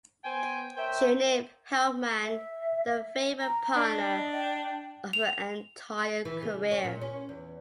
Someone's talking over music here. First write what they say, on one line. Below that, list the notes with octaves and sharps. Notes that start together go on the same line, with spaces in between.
She named Helpmann the favourite partner of her entire career.
B3 C5 G5 G#5
A#4 C5 C#5 E5 G5
E5
A#5
D4 D#5
G5
F7
E3
C#3
C#4
A#2
C#4
E2